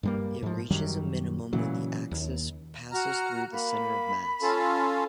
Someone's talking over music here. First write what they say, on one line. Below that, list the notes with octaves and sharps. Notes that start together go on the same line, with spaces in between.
It reaches a minimum when the axis passes through the center of mass.
G2 G3 A#3
G#2 F3
F#2 D#3 F#3 G3
A#2 C#3 E3 F#3
D#2
F#4 A#5 F6
A#3 B5
C#4 F4 A4